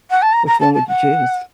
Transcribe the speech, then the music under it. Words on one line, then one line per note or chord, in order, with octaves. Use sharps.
Which one would you choose?
F#5
A5
A#5
A#5
A5
A5
F#5